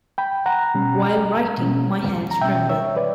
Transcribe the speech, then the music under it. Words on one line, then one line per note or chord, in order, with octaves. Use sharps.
While writing, my hands tremble.
G5 B5
F#5 A#5
B2 G3 C#4
B2 G3 C#4
A#5
B2 G3 C#4 E5 G5
C#5 E5
B4 D5